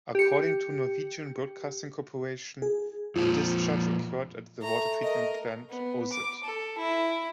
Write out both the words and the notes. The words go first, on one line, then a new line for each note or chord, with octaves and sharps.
According to Norwegian Broadcasting Corporation, the discharge occurred at the water treatment plant Oset.
G4 C#7
G#4
F2 A#2 F3 F4
A3 A#5
A#4 D#5
B3
D6
A4
E4